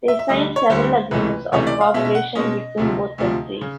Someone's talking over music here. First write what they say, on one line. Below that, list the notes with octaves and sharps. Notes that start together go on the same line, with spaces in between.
They signed several agreements of cooperation between both countries.
E5
E5
D2 D3 G3 D#5
C#5
D2 D3 G3 C5
C#2 C3 E3 A3 C#4 B4
C#2 C3 E3 A3 C#4 C#5
D5
F5
B2 G#3 C#4 E5
E5
F#5
B2 G#3 C#4 D#5
D2 C3 F3
D2 C3 F3
C#3